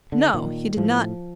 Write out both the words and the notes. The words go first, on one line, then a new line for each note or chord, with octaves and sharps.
"No, he did not."
D3
A#2 D#3
A2 F3